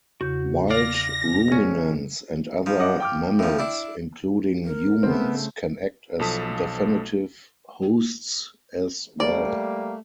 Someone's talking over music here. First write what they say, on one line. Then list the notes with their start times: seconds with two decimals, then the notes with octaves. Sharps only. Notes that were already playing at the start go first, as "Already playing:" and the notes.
Wild ruminants and other mammals, including humans, can act as definitive hosts as well.
0.21 E2 C#3 F#4 G6
0.71 D5 F5 F6 A#6
1.48 A#1 C#4 G#4
2.66 G2 F3
2.79 D#5 F#5 D6
3.00 G5 D6 F6
3.39 A2 F3
3.59 D4 E4
4.65 A#4
5.03 C#3 A3 B3 C4
6.19 B1 F3 A4 A5 D#6 B6
9.20 G3 A3 A#3 D5